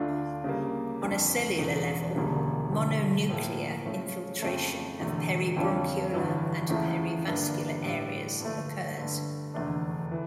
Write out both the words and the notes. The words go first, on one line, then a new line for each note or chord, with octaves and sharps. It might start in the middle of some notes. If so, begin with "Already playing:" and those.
On a cellular level, mononuclear infiltration of peribronchiolar and perivascular areas occurs.
Already playing: D2 D3 A3 D4 F4
C#3 G3 A#3
G1 F2 D3
E1 E2 C#3
E1 D2 C#3 G3 A#3
E1 D2 D3 F3
A2 F3 A#3
C#3 F3 A3 C#4
F2 C#3 F3 A3
E1 E2 D3 A3
F2 D3 F3 C#4 F4
G1 G2 E3
E2 C#3 F3 A3 E4
G1 G2 E3 A#3 D4
A2 G3 D4
G2 D3 F3 A3
G2 D3 A3
F1 E2 D3 A3 D4
E3